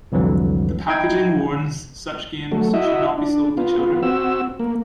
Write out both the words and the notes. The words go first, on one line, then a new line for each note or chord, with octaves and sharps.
The packaging warns such games should not be sold to children.
C2 F2 D3 E3 F#3
D#4 E4 G5 G#6
F#3 A3
E4 F#4 D#5 E5
D4
B3 F4
C4 F#4 E6
A#3